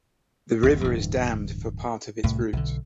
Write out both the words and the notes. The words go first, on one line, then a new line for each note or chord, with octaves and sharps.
The river is dammed for part of its route.
F#1 D#2
D1 G2 E3
C2 A2
B1 D3